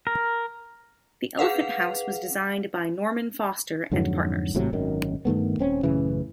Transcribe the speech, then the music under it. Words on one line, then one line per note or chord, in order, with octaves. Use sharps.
The elephant house was designed by Norman Foster and Partners.
A#4
G#4 B4 F5 F#5 F7
F2 G#2 D3 F#3
G#1 A2 C3 F#3
G#1 F#2 D#3
G2 D#3 A3 B3
D#1 C4 C#4
A1 F#2 C#3 E3